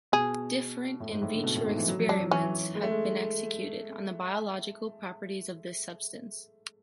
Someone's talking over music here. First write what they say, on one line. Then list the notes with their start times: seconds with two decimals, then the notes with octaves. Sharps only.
Different “in vitro” experiments have been executed, on the biological properties of this substance.
0.12 B2 G#4
1.00 A2
1.11 G#2
1.22 A2
1.34 D3
1.44 B2
1.55 A2
1.66 G#2
1.77 E3
1.88 F#3
1.99 F#3
2.09 F#3 D4
2.20 F#3
2.31 E3 C#4
2.75 G#3
2.83 A3
2.91 G#3